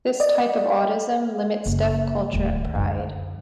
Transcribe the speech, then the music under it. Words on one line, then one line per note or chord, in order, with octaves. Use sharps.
This type of audism limits deaf culture and pride.
D5 D#5
F#1
D1 D#2
F#2 D3